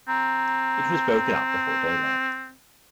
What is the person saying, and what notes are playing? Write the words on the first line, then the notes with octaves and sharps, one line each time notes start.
It was broken up before daylight.
C4 A#5